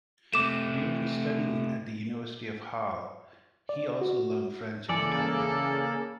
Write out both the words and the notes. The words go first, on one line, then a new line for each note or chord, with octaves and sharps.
During studying at the University of Halle, he also learned French and Italian.
C3 A3 D6 E7
D5
F#4
C#3 E3 A#3 A4 D5